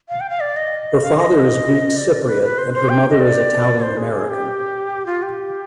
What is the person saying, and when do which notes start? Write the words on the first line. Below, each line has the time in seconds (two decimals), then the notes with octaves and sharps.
Her father is Greek-Cypriot and her mother is Italian-American.
0.09 F5
0.20 G5
0.30 F5
0.40 D5
0.57 D#5
1.03 F5
1.18 D#5
1.96 D5
2.27 B4
2.42 B4
2.58 C5
2.74 C5
2.89 G5
3.10 D#5
3.20 D5
3.82 C5
3.97 G#4
4.13 G#4
4.29 G4
5.06 F4
5.23 G4